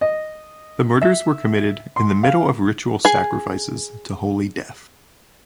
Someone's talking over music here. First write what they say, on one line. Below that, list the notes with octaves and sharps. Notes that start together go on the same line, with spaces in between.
The murders were committed in the middle of ritual sacrifices to Holy Death.
D#5
E5
C6
F5
G#4 G#5